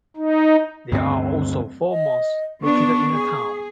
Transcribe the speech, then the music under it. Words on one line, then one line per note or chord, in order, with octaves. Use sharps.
There are also four mosques located in the town.
D#4
D2 G2 G#3 C4
D#5
B3 D4 C#6
G#4